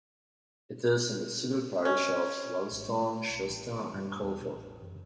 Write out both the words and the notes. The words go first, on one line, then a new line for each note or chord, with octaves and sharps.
It is in the civil parish of Wyboston, Chawston and Coleford.
C#4
G#1
G#3
A3
B1
A1
A#3
G2
E2
B2
A1
F#2